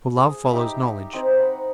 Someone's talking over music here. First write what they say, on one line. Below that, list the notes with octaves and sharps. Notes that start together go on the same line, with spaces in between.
For love follows knowledge.
G#4 G#5 D#6
D#4 G4 E5 B5
C4 D#4 C5
F#5 B5